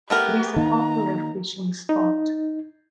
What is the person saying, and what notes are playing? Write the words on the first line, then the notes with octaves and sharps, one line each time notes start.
It is a popular fishing spot.
A3 B3 G4 A#4
D#3 A#3 A#5
D#4